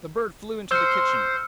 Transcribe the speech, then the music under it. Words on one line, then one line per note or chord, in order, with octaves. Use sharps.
The bird flew into the kitchen.
C5 E6 F6 C#7